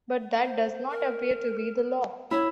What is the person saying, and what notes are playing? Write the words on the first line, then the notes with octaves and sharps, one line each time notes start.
But that does not appear to be the law.
C5
A#4
E4 C#5